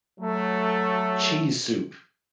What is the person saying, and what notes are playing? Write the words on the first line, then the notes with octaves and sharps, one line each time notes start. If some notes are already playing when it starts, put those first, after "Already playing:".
cheese soup."
F#3 A3